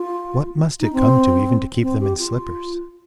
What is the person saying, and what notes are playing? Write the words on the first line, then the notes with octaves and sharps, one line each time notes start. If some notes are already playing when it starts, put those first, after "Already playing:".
What must it come to even to keep them in slippers.
Already playing: F4
D#4
C4
C4
G4
F4